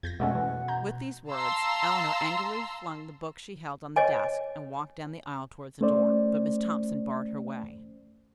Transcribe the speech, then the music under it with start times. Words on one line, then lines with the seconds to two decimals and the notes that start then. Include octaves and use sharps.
With these words, Eleanor angrily flung the book she held on the desk and walked down the aisle toward the door, but Miss Thompson barred her way.
0.03 F2 G6 G#6 A#6
0.20 B2 G#3 A3 C#4 F#5
0.35 E3
0.68 A#5 G6
1.30 F5 A5 A#5 C6 E6
3.96 C#5 D#5 G#5
5.81 A3 C#4 C5 D5